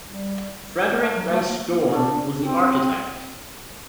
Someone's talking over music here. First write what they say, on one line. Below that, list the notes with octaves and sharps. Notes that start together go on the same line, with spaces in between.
Frederick Rice Dorn was the architect.
G3
A3
F#3
A3
A#3
A#3
D4
C4